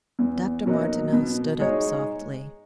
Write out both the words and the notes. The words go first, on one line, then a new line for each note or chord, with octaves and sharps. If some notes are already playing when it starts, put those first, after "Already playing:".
Dr. Martineau stood up softly.
E2
B2 F#3 A#3 D#4
B2
G#3 D#4 G#4 C#5